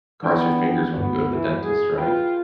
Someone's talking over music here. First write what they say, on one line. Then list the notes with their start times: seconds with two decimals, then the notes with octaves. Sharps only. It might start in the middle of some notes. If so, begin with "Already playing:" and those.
cross your fingers when you go to the dentist, right?
0.23 E3 B3 D4 G5
0.94 G2 B3 F#4
1.32 E3
1.63 G#4
1.98 F4 B4 G5